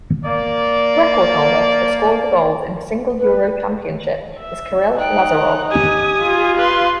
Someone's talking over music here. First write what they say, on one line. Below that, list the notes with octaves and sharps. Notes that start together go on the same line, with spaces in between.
The record-holder for scored goals in a single Euro Championship is Kiril Lazarov.
A#3 D5
B4
E5
D#4 G5 F#6
G4 G#5 D#6
F4
B4 C6